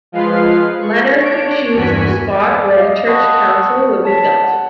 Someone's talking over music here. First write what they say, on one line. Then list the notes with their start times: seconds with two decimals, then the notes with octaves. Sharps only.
Leonard would choose the spot where the church council would be built.
0.12 F3 G#3 F4 B4 F5 C7
0.82 C#6
1.21 D4 C#5 D7
1.74 E2 G2 F#4 G#5 B6
2.31 D5 D6
2.76 D#5 F5
3.07 F#5 A5 B5 C#6 D#6 F#6
4.03 C#5 A5 B6
4.44 F#5